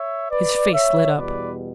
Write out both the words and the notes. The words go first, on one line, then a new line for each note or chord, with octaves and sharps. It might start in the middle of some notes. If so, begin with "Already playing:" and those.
His face lit up.
Already playing: C#5 E5
B4 D5
C#5 E5
E2 B2 G3 B4 D5